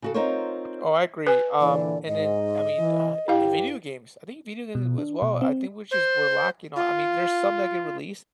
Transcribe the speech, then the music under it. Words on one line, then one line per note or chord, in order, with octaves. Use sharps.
Oh, I agree, um, and then, I mean, uh, eh, video games, I think video gaming, as well. I think we're just we're lacking on I mean, there's some that get released,
C#3 F#4 A4
C4 D#4 F4 A#4 C5 C#5
B4 G#5
A#2 D3 E3 D5
G#2 D#5
E3
G2 E4 G4 F5
B2
D4
B2
C4
C5
F4